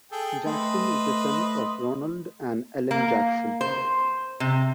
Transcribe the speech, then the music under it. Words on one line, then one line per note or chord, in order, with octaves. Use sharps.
Jackson is the son of Ronald and Ellen Jackson.
G#4 A4 G5
A3 B4 C5 D#5
A#3
C5
C3